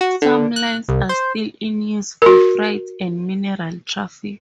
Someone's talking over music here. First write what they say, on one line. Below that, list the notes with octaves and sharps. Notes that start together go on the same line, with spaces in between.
Some lines are still in use for freight and mineral traffic.
F#4
D3
F#6
C2
C5
F#4 A#4